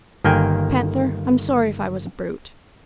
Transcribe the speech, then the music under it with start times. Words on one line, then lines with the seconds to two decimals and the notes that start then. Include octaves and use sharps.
'Panther, I'm sorry if I was a brute.'
0.24 G1 D#3 A#3 G5 G#5